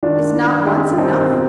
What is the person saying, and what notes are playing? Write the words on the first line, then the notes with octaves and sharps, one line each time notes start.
Is not once enough?
D#3 D4 F4
D#3
D#3 D#4 G4
F4
D#3 C4 D#4
B2